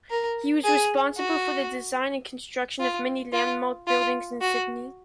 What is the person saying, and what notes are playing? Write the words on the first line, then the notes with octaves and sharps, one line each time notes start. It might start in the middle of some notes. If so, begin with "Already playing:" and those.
He was responsible for the design and construction of many landmark buildings in Sydney.
A#4
G#4
F#4
F4
F4
F4
F#4